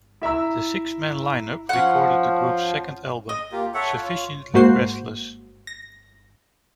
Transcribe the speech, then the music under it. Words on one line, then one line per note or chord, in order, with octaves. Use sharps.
This six man lineup recorded the group's second album, "Sufficiently Breathless".
E4 E5 A#5 E6
F3 C#4 F#5
D#5
A#3 F4 G4
A4 C#5 E5 F#5
F4 C#5
G#2 A#3 F#4 C5 C7
A#6